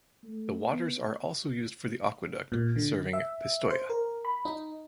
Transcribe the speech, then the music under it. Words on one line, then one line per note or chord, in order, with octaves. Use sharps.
The waters are also used for the aqueduct serving Pistoia.
A3
B3
A#2
D3
E5
C5
A#4
B5
D#4